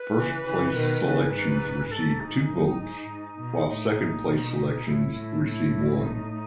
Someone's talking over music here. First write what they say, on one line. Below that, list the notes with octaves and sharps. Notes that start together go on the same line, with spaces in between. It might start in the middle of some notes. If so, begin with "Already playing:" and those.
First place selections receive two votes, while second place selections receive one.
Already playing: B4
C#3 E3
C#3 E3
B2 D#3
C#3
G#2
G#2 A4
D#4
F#2
G#2
G#2
B2
A2 D#4
B2
A2 E4
A2
E4
D#4